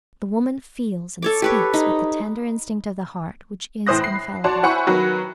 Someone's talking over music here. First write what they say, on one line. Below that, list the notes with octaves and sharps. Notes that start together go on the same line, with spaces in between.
The woman feels and speaks with the tender instinct of the heart, which is infallible.
A4 C#5 D6
G4 B4 C#5
D#4 B5
A2 E3 C5 D#6 F#6 A#6
B5 C7
F#4 C#5 D5 A5 C6
E4 C5 F#5 G#5 B5 C#6
D#3 F#3 F#4 B4